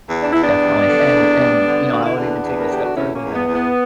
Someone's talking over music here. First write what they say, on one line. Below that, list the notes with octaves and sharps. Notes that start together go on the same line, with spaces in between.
Definitely. And and, you know, I would even take it a step further that
E2
D4
E2 E4
B3 D4
G3
D3
E2
G3
D3
D3 F#4
E4
E2 B3 D4
E2
A#4
D3 G4
F#4
E2 C#4 E4
A#3 C#4
E2
B3
E2
B3